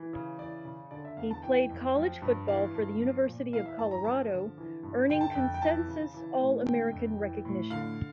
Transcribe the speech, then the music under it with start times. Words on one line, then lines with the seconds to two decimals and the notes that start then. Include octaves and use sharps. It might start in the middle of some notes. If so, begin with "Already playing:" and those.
He played college football for the University of Colorado, earning consensus All-American recognition.
Already playing: E3
0.13 C#3
0.38 E3 D5
0.65 C#3
0.91 D3 D5
1.05 E5
1.17 E2 F5
1.31 A5
1.43 E3 G5
1.70 F2
1.96 F3
2.22 G2
2.48 E3 F5
2.75 G2
3.00 F3
3.26 A#2
3.53 E3 F5
3.66 E5
3.79 G2 A5
3.91 A#5
4.05 F3 A5
4.31 D3
4.58 E3
4.83 G2
5.09 D3 G5
5.21 A5
5.31 F2 G5
5.54 G5
5.62 E3 A5
5.88 C#3
6.14 E3
6.40 A2
6.66 D3 G5
6.92 F2
7.19 E3
7.45 A2
7.70 D3 F5